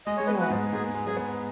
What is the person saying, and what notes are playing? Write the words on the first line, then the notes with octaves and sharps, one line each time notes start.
No, I don't believe so.
G#3 D#5
C#5
B3 B4 D#5
F#4 B4
G#2
G#2 G#4
G#3
G#4
B3